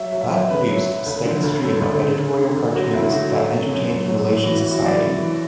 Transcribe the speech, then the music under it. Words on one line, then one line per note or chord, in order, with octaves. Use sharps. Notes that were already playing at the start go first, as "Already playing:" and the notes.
Lat produced a steady stream of editorial cartoons that entertained Malaysian society.
Already playing: F#3 E5
F#3
E5
F#2
F#2 B4
F#3
F#3
D2
D3
D2
F#3 A4
D2
D3
D2
D3
D2
F#3 F#4
D2 E4
D3 F#4
F#3 A4
F#3
F#2
F#2
F#3
F#3
E3 F#4
E3 E4
F#4
F#2 D5
F#2
E3